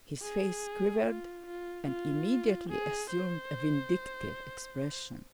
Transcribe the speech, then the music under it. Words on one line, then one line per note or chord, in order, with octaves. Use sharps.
His face quivered and immediately assumed a vindictive expression.
G#4
F4
F4
F4
G#4
C5